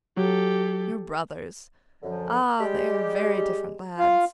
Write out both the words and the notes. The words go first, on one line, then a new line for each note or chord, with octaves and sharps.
Your brothers! Ah! they are very different lads!'
F#3 G4 A4
F#2 D3 F3
G3 G#3 G4
F4 F5